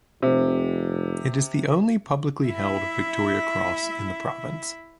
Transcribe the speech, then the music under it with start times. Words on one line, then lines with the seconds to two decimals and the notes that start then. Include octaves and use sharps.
It is the only publicly held Victoria Cross in the province.
0.22 F1 C3
2.48 E4 E5